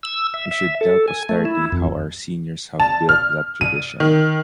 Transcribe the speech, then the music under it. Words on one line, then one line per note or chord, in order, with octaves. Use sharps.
We should tell posterity how our seniors have built that tradition.
E6
E5
E5
A4
G#5
A3
E4
F2
A5
F6
D#7
D#3